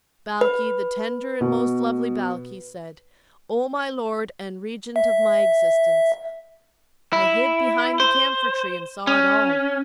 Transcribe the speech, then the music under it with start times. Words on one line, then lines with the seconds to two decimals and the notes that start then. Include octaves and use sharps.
Balkis--The tender and Most Lovely Balkis--said, 'O my Lord and Regent of my Existence, I hid behind the camphor-tree and saw it all.
0.41 B4
1.41 B2
4.96 E5
7.13 E4
8.00 C5
9.07 C#4